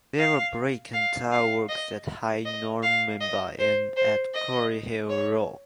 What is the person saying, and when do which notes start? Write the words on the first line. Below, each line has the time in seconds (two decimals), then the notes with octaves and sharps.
There were brick and tile-works at High Normanby and at Quarry Hill, Raw.
0.19 F5
0.93 F5
1.32 F5
1.69 D#5
2.45 D#5
2.83 F5
3.21 D#5
3.59 C5
3.96 C5
4.34 D#5
5.09 C#5